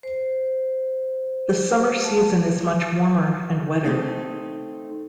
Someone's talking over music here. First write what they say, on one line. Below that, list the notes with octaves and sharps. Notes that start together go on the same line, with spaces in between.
The summer season is much warmer and wetter.
C5
A5
A3 C4 D#4